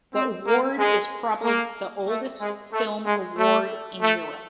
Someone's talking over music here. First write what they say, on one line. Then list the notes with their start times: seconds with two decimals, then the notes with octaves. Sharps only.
The award is probably the oldest film award in Europe.
0.14 C4
0.47 A#3
0.79 G#3
1.44 A#3
2.08 A3
2.41 G#3
2.73 A3
3.05 G#3
3.38 A3
4.02 A3